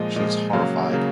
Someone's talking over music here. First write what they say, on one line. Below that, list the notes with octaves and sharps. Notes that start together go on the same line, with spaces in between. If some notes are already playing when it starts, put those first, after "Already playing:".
She is horrified.
Already playing: A#2 F3 G#3 D#5
A#2 F3 G#3 D#5
C#3 F#3 A#3 F5
C#3 F#3 A#3